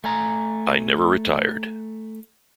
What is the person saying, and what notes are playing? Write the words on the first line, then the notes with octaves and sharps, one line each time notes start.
I never retired.
A3 G#5 A#5